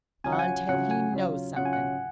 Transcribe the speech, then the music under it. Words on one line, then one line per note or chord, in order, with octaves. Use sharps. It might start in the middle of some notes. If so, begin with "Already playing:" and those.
"Until he KNOWS something!"
C#3 F#3 C#4 F4 G#5
F#5
G#5
C#3 F#3 C#4 F4 F#5
G#5
C#3 F#3 C#4 F4
C#3 F#3 C#4 F4 F#5
G#5
F#5